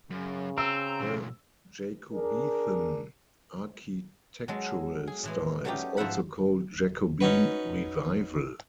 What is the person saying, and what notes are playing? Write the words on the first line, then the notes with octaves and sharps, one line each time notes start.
The "Jacobethan" architectural style is also called "Jacobean Revival".
F#2 C#3
C4 A#5 E6
B2 F3
D4 G#4 A#4
F#3 G#3 A4
G#4
A2 E3 G#3
F#3 G3 A3 C#4 D#4 G4
G#2 F3 C5 E5 F#5 B5
C#4 D#4 F#4 B4